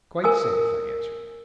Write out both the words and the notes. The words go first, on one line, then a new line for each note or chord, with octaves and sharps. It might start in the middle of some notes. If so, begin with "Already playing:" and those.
"Quite safe," I answered.
A#4 G#5 D#6 E6